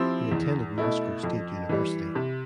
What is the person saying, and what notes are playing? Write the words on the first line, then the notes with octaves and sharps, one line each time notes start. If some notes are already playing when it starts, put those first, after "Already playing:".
He attended Moscow State University.
Already playing: F3 C4 E4 G4
E2
B2 A3 E4
F2
E3 G3
C3